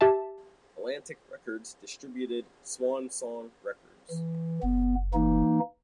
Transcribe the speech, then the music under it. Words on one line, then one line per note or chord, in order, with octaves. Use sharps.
Atlantic Records distributed Swan Song Records.
G4 E5 A5
E3
F#1 B3
E3 A#3 D#4